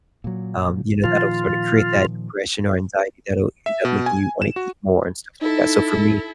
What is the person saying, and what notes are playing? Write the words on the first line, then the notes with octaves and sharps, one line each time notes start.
um, you know, that'll sorta create that depression or anxiety that'll end up making you wanna eat more and stuff like that. So, for me,
A#2 F#3
A#2 D#3 F3 F4
E5
B2
G#5
E7
F#4
D#4 E4 A4